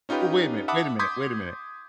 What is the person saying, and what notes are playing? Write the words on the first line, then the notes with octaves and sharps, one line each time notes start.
Wa wait a minute wait a minute wait a minute,
C#4 D#4 F4 G4 B4
E5 F#5 A5 B5 D6 D#6
C6 D6 D#6 G6 G#6 B6